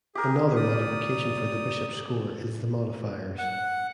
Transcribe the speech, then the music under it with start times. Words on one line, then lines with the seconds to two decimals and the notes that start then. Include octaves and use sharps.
Another modification for the Bishop's score is the modifiers.
0.15 G4 G#4 A#4
0.56 D5 D#6
3.38 F#5